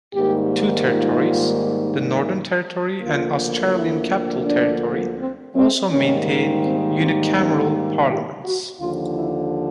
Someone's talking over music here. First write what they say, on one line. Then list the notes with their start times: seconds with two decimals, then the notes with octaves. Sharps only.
Two territories, the Northern Territory and Australian Capital Territory, also maintain unicameral parliaments.
0.14 G#2 D#3 G3 A#3 G4
0.86 F4
3.02 D2 D3 F3 A#3 F4
3.75 E4
4.47 D4
5.19 C4
5.55 C4
5.91 G#2 D#3 G3 A#3 C#4
6.64 C4
6.99 C4
7.36 C#4
8.07 G4
8.44 F#4
8.79 D#2 D3 F3 F4
9.16 E4